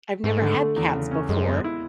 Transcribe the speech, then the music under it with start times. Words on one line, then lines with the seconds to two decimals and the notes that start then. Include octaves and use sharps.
I've never had cats before,
0.24 G#2 A3
0.41 D3
0.59 A3
0.76 E2
0.94 C#3
1.11 C#4
1.29 F#2 G#3
1.47 B3
1.64 E4